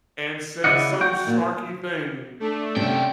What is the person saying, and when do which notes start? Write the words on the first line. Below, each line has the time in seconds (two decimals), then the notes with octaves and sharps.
And said some snarky thing,
0.64 C#3 E4 D5 D#5 F#5
1.01 F#4 G5
1.27 A#2
2.40 A3 D4
2.76 D2 C3 C#4 G5